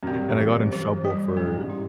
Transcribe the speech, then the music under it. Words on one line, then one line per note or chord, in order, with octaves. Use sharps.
And I got in trouble for
F#2
G2 C4
F#2
E3
G2
E3
G3
G#2 C#4
G2
E4